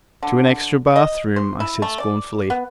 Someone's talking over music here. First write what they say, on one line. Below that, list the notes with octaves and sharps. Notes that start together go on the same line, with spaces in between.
"To an extra bath-room," I said scornfully.
D3
D#5
C5
E4
A3
D5
B3